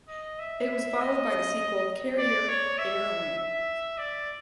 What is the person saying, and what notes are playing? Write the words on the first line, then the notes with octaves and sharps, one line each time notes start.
It was followed by the sequel "Carrier Air Wing".
D#5
E5
D#5
D5
C#5
E5
E5
D5